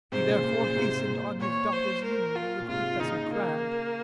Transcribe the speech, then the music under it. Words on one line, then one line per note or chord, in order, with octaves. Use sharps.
He therefore hastened on his daughter's union with Professor Crab.
G#2 C3 C5
A#2 C#3
A#2 C#3
A#2 C#3
G#2 C3
G#2
A#2
A#2 C#5
C5
A#4
F4
A#2
G#2 C3 F4
D#3
A#2 C#3 D#4
A#3